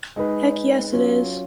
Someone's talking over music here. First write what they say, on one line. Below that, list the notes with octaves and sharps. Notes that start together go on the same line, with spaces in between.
Heck yes it is.
G#3 D#4 G#4 B4
F#3 C#4 F4